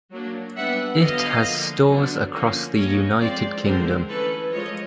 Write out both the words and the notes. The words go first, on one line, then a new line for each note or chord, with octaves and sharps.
It has stores across the United Kingdom.
F#3 A#3 D4
G3 B3 D4 E5 F#5
D3 F#3 B3 D#5 F5
D3 F3 A#3
D3 F#3 B3 D4
D3 F3 A#3 C#4
G3 A#3 C#4 C#5 D#5
F3 G#3 C4 C5 D5
D3 F3 G#3 C4 A#4 C5
E3 A3 C#4 A4 B4
F3 G#3 C#5 D#5